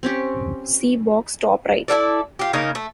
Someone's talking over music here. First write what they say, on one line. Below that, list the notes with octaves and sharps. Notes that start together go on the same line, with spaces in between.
See box, top right.
C4 C#4 G4
E4 F#4 A4 D5
F4 G4
C#3 A#3 D#4 A#4
A3